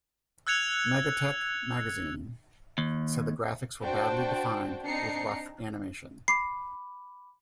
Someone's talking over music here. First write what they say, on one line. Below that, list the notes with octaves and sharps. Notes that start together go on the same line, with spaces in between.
"MegaTech" magazine said the graphics were "badly defined with rough animation".
E6 F#6 G#6 C#7 F7
D#2
D4 F#4 C5 G5 A5
C4 D4 D#4 A#5 C7 C#7
B5 D6 C7